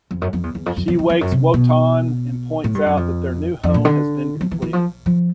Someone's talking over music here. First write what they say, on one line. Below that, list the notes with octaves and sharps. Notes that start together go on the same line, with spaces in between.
She wakes Wotan and points out that their new home has been completed.
F2
F#2
F2
E2
E2
F2
F2
F2
F2
F2
F#2
C3
B2
A2
G2
F#2
F2
F2
A#2
D3
F3
E3
E3
F3
F3